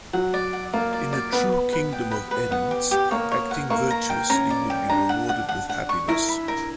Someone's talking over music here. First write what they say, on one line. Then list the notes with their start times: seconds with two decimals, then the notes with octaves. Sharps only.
In a true Kingdom of Ends, acting virtuously will be rewarded with happiness.
0.13 F#3 F#5
0.34 D5
0.53 F#5
0.73 A#3 D5
0.93 D5
1.13 D5
1.32 B3 B4
1.52 B4
1.73 B4
1.92 G5
2.11 B4
2.31 B4
2.51 B3 F#5
2.71 G4
2.91 G4
3.11 A#3 C#5
3.31 C#5
3.51 F#5
3.70 A#3 C#6
3.90 A#5
4.10 G5
4.30 C#4 A#5
4.50 D5
4.70 G5
4.89 D4 A#5
5.09 F#5
5.29 F#5
5.49 F#5
5.69 F#5
5.89 C#6
6.08 E4 A#4
6.28 B5
6.48 A#4